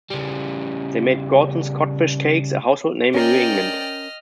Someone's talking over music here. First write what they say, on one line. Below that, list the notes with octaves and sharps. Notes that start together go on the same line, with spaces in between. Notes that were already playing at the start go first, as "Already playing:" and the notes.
They made Gorton's codfish cakes a household name in New England.
C#3 G3
C#4 A#4 D5 D#5 G5 F6